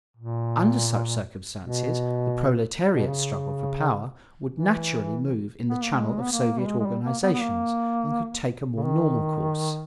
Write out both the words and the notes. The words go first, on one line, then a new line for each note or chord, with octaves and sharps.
Under such circumstances, the proletariat's struggle for power would naturally move in the channel of Soviet organizations and could take a more normal course.
A#2
B2
B2
C#3
E3
B3
A#3
G#3
B3
A#3
G3
G#3
G#3
G3
A#3
B3
B3
A#3
C#3
D#3